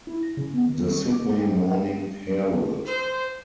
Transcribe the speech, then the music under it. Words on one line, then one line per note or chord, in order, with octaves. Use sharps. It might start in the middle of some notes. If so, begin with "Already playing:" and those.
The Sydney Morning Herald.
E4
A#6
C#3
B3
D#3
G3
C#6
D6
F#5
G5
C5